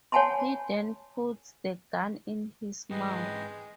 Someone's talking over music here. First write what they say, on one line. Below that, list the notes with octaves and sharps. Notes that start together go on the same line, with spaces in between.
He then puts the gun in his mouth.
C#5 F#5 G#5 A5 B5 C6
G#2 E3 G#3 B4 D#5 G5